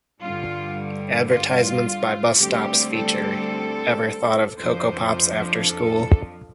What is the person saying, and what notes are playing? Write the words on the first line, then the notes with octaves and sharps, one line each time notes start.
Advertisements by bus stops feature, Ever thought of Coco Pops after school?
G2 D3 G3 F4
F4
D2 D3 G3 C4 G4
A4
F2 F3 D4 C5
A4